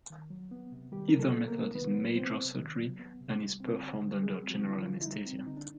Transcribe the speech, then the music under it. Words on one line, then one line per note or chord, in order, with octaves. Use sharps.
Either method is major surgery and is performed under general anesthesia.
D#3
F#3
B3
C3
D#3 G3 G4
F#3 A#4
A3 A4
B3
A#3 A#4
C3
D#3 B3 B4
F#3
B3 C4 C5
C3
D#3
F#3
B3
C3
G3
C4
D3
D3
G3 G#3 G#4
C4
F#3 F#4
D3 E4
F3 F4
D3
E4
G3 D#4
C4
D3 D#4
D4